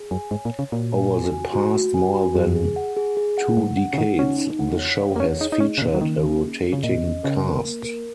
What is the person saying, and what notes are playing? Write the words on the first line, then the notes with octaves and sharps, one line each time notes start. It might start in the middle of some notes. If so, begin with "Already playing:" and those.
Over the past more than two decades, this show has featured a rotating cast.
Already playing: G#4
F#2 G#5
G#2 C#5
A#2
C#5
C#3
A#2 F#4
G#5
F#4
G#5
F#4
F#4
G#5
F#4
F#2 G#4
G#4
F#5
G#4
G#4
F#5
G#2 F#5
F#5
C#3
D#3 F#5
C#4 D#4
D#4
F#5
C#5
F#5
A#3
C#4 C#5
D#4 G#4
D#4
C#4 D#5
C#3
A#2 C#4
F#3
D#3 A#3
C#4
G#4
G#4
C#3
A#2 D#5
C#4
C#3 A#4
A#4
A#3
A#4